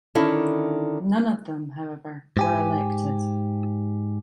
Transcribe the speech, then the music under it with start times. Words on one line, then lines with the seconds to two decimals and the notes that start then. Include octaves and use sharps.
None of them however were elected.
0.15 D3 D#3 C#4 D#4 E4 A4
2.37 G#2 G4 G#5